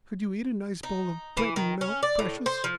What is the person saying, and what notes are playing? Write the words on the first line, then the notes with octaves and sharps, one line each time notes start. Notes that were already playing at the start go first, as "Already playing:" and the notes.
"Could you eat a nice bowl of bread-and-milk, precious?"
D#4
E3
D#3
C#4
D5
A2
C5
F3